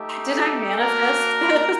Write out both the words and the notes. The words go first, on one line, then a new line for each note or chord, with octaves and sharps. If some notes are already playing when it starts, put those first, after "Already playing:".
"Did I manifest this?"
Already playing: A3 D#4 G4
A4
A#3 D4 F#4 A#4